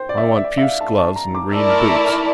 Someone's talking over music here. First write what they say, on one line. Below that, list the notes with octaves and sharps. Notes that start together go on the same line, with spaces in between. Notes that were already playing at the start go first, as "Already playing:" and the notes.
I want puce gloves and green boots.
Already playing: C5 G5
D5
E5
E5
D5
E5
F5
A5
A5
A#5
D6
A3 E4 A#4 D5 A5 E6
F6
E6
F6